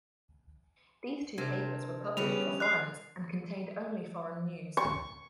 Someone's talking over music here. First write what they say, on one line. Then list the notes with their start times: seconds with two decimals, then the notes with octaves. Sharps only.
These two papers were published for foreigners, and contained only foreign news.
1.38 C3 D4 A#4 C5
2.17 C#3 G3 B3 C#4 B4 F7
2.60 F6 F#6 C7
4.77 C#6